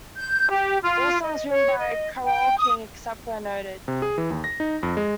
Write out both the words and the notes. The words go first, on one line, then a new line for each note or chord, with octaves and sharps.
All songs written by Carole King, except where noted.
G6
G4
F4
D#5
C#5
D#5
G5
D#6
C3
G#4
E3
D#2
A#6
D#4
F2
G#3